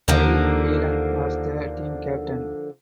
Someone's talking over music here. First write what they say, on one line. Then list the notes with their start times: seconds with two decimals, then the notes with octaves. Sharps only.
Bill Whelan was the team captain.
0.08 D#2 D3 F3 A#3